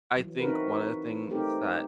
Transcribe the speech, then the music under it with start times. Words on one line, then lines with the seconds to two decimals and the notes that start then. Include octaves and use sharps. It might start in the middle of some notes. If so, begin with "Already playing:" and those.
I think one of the things that
0.16 E3 F#3
0.39 C4 D#4 E4 F#4 A#4 B4
1.29 A3 C4 D#4 G4 A#4